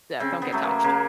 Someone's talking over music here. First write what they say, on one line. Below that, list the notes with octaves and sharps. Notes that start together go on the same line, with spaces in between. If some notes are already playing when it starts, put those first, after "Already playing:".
that don't get touched.
C#3 C4
B3
F#3 A3
A#3
C#3 A#3